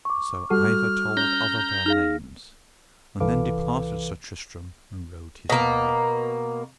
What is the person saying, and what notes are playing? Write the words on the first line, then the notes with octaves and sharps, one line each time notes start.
And so either told other their names, and then departed Sir Tristram and rode his way.
C#6 D6
G3 F#4 A4 F6
C#4 A#5 G6
D#4 G#4 F5 F6 A#6
C2 E3 A4 B4 F5 D6
B2 A#3